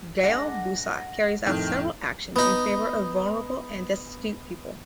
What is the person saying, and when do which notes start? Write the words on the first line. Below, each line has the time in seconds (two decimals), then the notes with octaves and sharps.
Gael Bussa carries out several actions in favor of vulnerable and destitute people.
0.23 G#3 D4 F#5 A#6
1.46 F2 A2 D#3 D#4 E4
2.36 B3 D#4